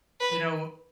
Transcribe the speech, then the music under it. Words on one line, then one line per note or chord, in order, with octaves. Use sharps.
You know
B4